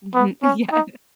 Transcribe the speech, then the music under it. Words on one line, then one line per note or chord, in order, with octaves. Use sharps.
Mhm, yeah.
B3
C#4
D#4